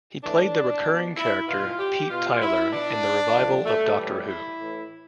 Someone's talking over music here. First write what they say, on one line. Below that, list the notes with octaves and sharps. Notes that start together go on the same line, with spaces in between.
He played the recurring character Pete Tyler in the revival of "Doctor Who".
A2 E3 D4
B2
E4
B2 F4
G4
B2 F4
E4
B2 D4
G2 D3 F3
A3
A2 E3 G3
E4
A2 E3